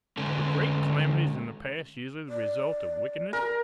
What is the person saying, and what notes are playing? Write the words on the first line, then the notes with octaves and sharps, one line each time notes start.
Were great calamities in the past usually the result of wickedness?
D3 G#3 C#4 A4
D5
A#4